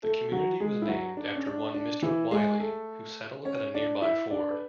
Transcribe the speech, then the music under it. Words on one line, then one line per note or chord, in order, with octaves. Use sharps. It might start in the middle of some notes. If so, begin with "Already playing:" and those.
The community was named after one Mr. Wiley, who settled at a nearby ford.
A3 A4
F#3 F#4
G#3 G#4
E4
F#3 F#4
D4
C#4
D4
D4
E3 E4
G#3 G#4
G#4
A3 A4
C#4 C#5
D4 D5
E4 E5
D4 D5
B4